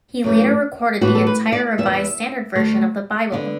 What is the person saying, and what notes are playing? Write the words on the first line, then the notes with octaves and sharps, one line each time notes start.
He later recorded the entire Revised Standard Version of the Bible.
F#2 E3 A3
A2 E3 B3 F#4
A4
B4
D5
E2 E3 B3 E5
D5
E5
D2 D3 A3
D3 B3